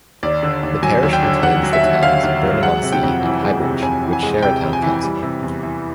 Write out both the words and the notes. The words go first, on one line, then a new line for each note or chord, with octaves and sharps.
The parish contains the towns Burnham-on-Sea and Highbridge, which share a town council.
D#2 D5
D3
D#2
F#3 G#5
D#2
G5
D3
D#2 F#5
F#3
E5
D#2
D3 F5
D#2
F#3
G#3 F#5
C3
G5
F2
E3
G#3
C3
F2 G#5
E3
G#5
G#3
C3 G5
F2
G#5
E3
G3
C3
E2
E3